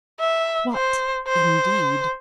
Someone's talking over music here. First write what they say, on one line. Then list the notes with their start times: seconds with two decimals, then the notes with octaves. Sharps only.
What indeed!
0.20 E5
0.73 C5
1.28 C5